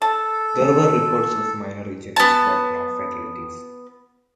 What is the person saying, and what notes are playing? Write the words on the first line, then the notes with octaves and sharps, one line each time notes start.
There were reports of minor injuries but no fatalities.
A4 A5
B3 A5